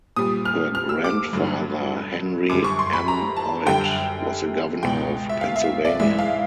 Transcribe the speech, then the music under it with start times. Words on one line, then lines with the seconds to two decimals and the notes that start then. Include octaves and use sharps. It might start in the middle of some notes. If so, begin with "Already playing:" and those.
Her grandfather, Henry M. Hoyt, was a governor of Pennsylvania.
0.16 A#2 G3 D#6
0.45 F6
0.75 F6
0.89 E6
1.04 D6
1.33 G2 D3 F#3
2.50 F#2 D3 G3 D6
2.64 C#6
2.79 C6
2.93 B5
3.08 A#5
3.37 A5
3.66 F#2 D3 G3 G5
4.82 C#2 B2 G#3 G5
5.29 E5
5.41 F5
5.56 E5
5.85 D5
6.00 G#2 E3 G#3 E5
6.18 F5